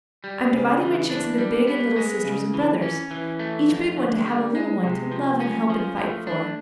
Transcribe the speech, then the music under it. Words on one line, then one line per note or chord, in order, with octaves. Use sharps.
I'm dividing my chicks into big and little sisters and brothers, each big one to have a little one to love and help and fight for.
G3
C#3
E3
D4
G3
B3
G#3
C#3
E3
C#4
E3
A3
F2
D3
G3
G#3
C3
F3
C#4
F3
A3
D4